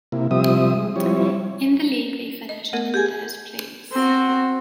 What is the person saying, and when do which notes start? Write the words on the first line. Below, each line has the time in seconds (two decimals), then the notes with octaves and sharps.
In the league, they finished in third place.
0.12 C3 A#3 E4
0.31 C3 F3 G3 C4 E5 D#6
0.77 G#3
0.96 F3 G3 C4 E4 C#5
2.49 D#5
2.73 A3 B3 A#4
2.94 G4 G#4 G#5
3.92 C4 F#4